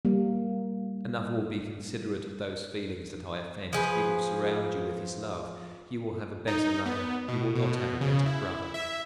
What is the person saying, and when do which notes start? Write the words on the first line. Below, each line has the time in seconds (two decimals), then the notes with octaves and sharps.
Another will be considerate of those feelings that I offend, he will surround you with his love; you will have a better lover, you will not have a better brother.
0.05 G3 A#3
3.73 F3 G#4 B4
6.47 D#4
6.85 B3
7.28 B2
7.55 B2
8.01 C#3
8.26 E4
8.74 E5